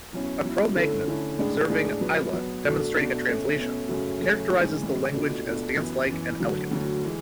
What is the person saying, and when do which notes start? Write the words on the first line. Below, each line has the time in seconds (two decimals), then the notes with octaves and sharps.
A Cro-Magnon observing Ayla demonstrating a translation characterizes the language as dancelike and elegant.
0.13 B2 F#3 C#4 E4
0.44 B2 F#3 C#4 E4
0.76 D3 A3 C#4 E4 A4
1.08 D3 A3 C#4 E4 A4
1.39 A2 G#3 D4 G#4
1.70 A2 G#3 D4 G#4
2.01 B2 F#3 B3
2.32 B2 F#3 B3
2.64 B2 A3 D4 F#4 A4
2.96 B2 A3 D4 F#4 A4
3.26 B2 A3 C#4
3.58 B2 A3 C#4
3.89 F#2 C#3 F#3 A3 C#4
4.20 F#2 C#3 F#3 A3 C#4
4.52 A2 E3 G#3 C#4
4.83 A2 E3 G#3 C#4
5.14 C#2 B2 A3 D4 F#4
5.45 C#2 B2 A3 D4 F#4
5.76 F#2 E3 B3
6.08 F#2 E3 B3
6.40 D2 D3 F#3
6.71 D2 D3 F#3
7.04 E3 G#3